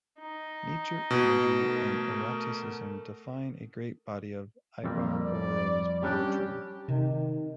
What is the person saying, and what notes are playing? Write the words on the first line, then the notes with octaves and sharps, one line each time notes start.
Nature imagery and eroticism define a great body of Ibarbourou's poetry.
D#4
B2
A3 A#4
F2 G3 A#3
D5
G3 C#4 D4 G4
C3 D#3